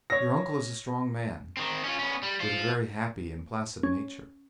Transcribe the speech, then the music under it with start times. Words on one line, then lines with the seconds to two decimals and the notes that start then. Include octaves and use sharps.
Your uncle is a strong man, with a very happy and placid nature.
0.10 C#5 A#6
1.57 D#3 C4
1.84 C#4 F4
1.99 B3 C#4
2.23 G3
2.40 F4 C5
3.83 C#4